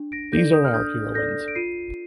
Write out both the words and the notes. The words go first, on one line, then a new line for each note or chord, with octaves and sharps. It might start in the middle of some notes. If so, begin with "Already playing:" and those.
These are our heroines.
Already playing: D4
A#6 D7
A4 D5 G6 A#6
D#6 G6
F6
D4 D#6 G6
A4 D5 G6 A#6
D7
F4 C7 D#7